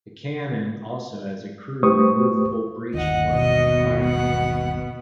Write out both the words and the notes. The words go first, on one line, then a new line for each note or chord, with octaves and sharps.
The cannon also has a crew-removable breech plug and firing pin.
A3 G4 B4 C5 C#6 D#6
G1 D#2 D#5 F#5
B2 B3 D#5
F#5